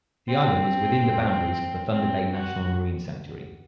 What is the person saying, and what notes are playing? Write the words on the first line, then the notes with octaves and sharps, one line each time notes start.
The island is within the boundaries of the Thunder Bay National Marine Sanctuary.
C4
C4
F#4